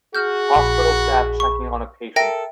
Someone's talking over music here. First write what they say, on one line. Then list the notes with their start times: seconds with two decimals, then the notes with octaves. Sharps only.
Hospital staff checking on a patient.
0.15 F#4 G#4 F6 G6
0.56 A#1 B5
1.40 C#6
2.16 A4 A#4 E5 G5 A#6